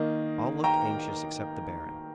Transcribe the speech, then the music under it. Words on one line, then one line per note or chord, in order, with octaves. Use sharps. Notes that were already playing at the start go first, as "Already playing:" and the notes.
All looked anxious except the baron.
Already playing: D#3 A#3 D#5
G5 A#5